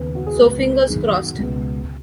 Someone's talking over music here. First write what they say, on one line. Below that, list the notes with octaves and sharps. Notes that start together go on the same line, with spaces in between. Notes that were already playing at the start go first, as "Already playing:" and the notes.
So fingers crossed.
Already playing: D#2 C#3 B3 B4
F#4
G#4
C#2 C#3 B3 B4
F#2 D#3 B3 G#4
F#4
C#2 B2 G#3 B3